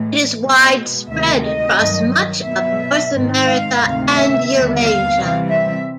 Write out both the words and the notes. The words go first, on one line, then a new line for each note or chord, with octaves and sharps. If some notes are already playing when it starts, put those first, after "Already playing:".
It is widespread across much of North America and Eurasia.
Already playing: A2 E3 G#3
B2 G#3 B3
D2 C3 D#3 G#3 E5
D#5
G2 D#3 F#3
B2 F#3 B3 E5
G#2 D#3 G#3 C4
F5
D2 C3 D#3
E5
D#2 D3 G3 B3
F5
C3 E3 G3 C4
E5